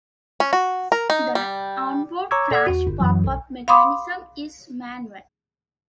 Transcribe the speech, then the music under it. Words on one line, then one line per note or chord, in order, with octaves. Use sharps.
The onboard flash popup mechanism is manual.
C#4
F#4
A#4
D#4
G3
C#5 A#5 C#6 D6 E6 G#6
A4 D5 F#5 E6 G#6
E2 F#4
G1
F#2 E3 F#3
B1
F5 B5 C6 D6 D#6